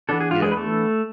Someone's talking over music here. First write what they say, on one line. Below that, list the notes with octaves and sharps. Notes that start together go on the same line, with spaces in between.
you know,
E3 B3 D4 A4
G#4
F4
G#3 G#4
B4
A3 A4